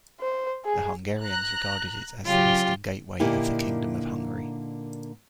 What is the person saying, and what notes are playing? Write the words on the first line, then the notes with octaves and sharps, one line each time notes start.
The Hungarians regarded it as the western gateway of the Kingdom of Hungary.
C5
G#4
A#5 F#6
C#3 F#3 F4 G4
A#2 D3 A#3 D#4 E4 G4